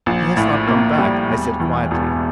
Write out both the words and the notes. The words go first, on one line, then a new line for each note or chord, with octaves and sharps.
"He has not come back," I said quietly.
A#1
A2
A#3
G3
E1
E2
E1